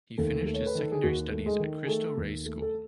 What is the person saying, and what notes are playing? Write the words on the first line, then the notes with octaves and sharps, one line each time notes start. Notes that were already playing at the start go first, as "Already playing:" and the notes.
He finished his secondary studies at Cristo Rey School.
D#2 A3 A4
A3
C#5
B4
D#3 A4
G#4
D#2 F#4
A3
G#3 G#4
D#3
G#4
A3 A4
D#2
A3
A4